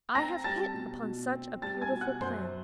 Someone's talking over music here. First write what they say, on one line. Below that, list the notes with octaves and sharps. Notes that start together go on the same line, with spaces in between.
'I have hit upon such a beautiful plan.
C4 A#5 A#6
G3 A5 A6
B2
B2
C4
G3 A5 A6
G#5 G#6
B2
F#5 F#6
F#2 C5 C6